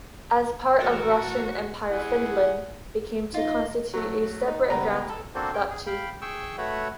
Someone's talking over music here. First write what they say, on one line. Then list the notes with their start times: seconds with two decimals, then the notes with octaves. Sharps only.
As part of Russian Empire Finland became to constitute a separate grand duchy.
0.79 A1 F#4 A4 A#4
1.90 E4 G#4 F#5
3.34 D#4 F4 D#5
3.94 F#3 A3
4.48 D#4
4.70 C#2 G3 B3 A#4 B4 A#5
5.10 A4
5.35 A#3 C4 D4 F#4 A4 C5
5.54 C#4 G5
5.70 G#4
5.87 F5 G5 B5
6.22 G#4 G5 C#6 E6
6.58 A3 F#4 B4 C#5 E5 F#5